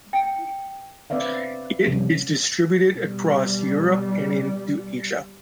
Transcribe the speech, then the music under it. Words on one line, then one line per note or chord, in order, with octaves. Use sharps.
It is distributed across Europe and into Asia.
G5 C#7
C4 B4 D5 E5 F5
C3 F3 G3 C#4
B2 G3